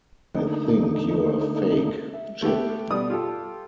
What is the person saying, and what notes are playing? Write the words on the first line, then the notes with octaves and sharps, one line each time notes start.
I think you’re a fake, Jip.
D3 A3 A#3 D#4
E5
A3 B3 G4
B2 G3 D5 D#6
F4 G4 A4